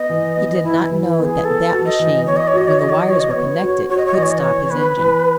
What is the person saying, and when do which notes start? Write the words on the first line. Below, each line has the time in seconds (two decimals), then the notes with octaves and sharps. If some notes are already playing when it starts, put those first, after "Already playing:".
He did not know that that machine, when the wires were connected, could stop his engine.
Already playing: B3 D#5
0.10 E3
0.36 B3
0.64 E3 E4
0.91 E3
1.05 E4
1.19 B3
1.24 G#4
1.45 B3 A4
1.72 F#4
1.85 D#5
1.99 E3
2.27 B3 C#5
2.37 D#5
2.48 C#5
2.53 F#4 D#5
2.68 C#5
2.79 E3 D#5
2.89 C#5
2.99 D#5
3.08 F#4 C#5
3.20 D#5
3.31 B3 C#5
3.62 F#4
3.89 F#4 C#5
3.98 D#5
4.06 C#5
4.14 E3 D#5
4.23 C#5
4.31 D#5
4.39 E3 C#5
4.70 B3 B4
4.97 E3